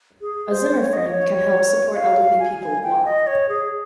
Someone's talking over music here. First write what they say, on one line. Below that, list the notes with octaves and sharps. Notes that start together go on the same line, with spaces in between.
A zimmer-frame can help support elderly people walk.
G#4
C5
C#5
D#5
C#5
F5
G#5
G5
D#5
C#5
G#4